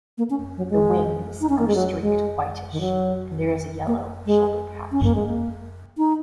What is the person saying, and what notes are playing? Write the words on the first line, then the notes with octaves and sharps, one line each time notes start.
The wings are streaked whitish, and there is a yellow shoulder patch.
A#3
C#4
F#3
G#3
D#4
C#4
A#3
G#3
F#3
G#3
D#3
F#3
A#3
G#3
C#4
A#3
G#3
A#3
D#4